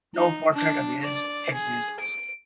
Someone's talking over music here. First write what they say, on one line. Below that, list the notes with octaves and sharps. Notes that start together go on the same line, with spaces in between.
No portrait of his exists.
D#4
D4
D5
G#4
D7